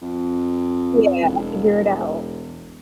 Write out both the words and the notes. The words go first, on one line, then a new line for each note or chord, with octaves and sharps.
yeah, figure it out.
F2
E1